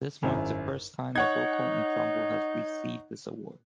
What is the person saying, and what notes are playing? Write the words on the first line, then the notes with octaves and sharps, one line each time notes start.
This marks the first time a vocal ensemble has received this award.
G#1 F#2 E4
D#4 C#5 F#5 G#6